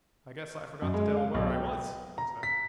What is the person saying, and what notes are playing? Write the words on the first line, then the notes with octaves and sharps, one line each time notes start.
"I guess I forgot to tell where I was," he said.
F#2
G#3
F5
B1
G5
A#5
B6